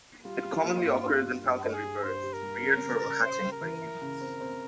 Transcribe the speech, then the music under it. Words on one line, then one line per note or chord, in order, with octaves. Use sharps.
It commonly occurs in falconry birds reared from hatching by humans.
G3 F4
G3
A#3
G2
G2
G2
G2
G2
G#4
G4
G2 C5
G4
A#4
G3
C#3
C#3
C#3
C#3 C5
C#3
A#4
E3
E4
C#3
C4
C4